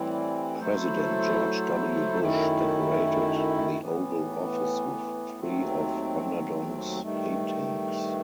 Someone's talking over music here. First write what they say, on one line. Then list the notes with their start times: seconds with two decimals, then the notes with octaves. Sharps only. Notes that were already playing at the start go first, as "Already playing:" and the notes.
President George W. Bush decorated the Oval Office with three of Onderdonk's paintings.
Already playing: A2 E3 G3 C4 E4
0.59 F#3 A3 E4 A4 C5
2.20 F#2 D#3 A3 E4
3.80 A2 E3 B3
5.40 D#2 D#3 F#3 A3 C4
7.00 G2 D#3 A3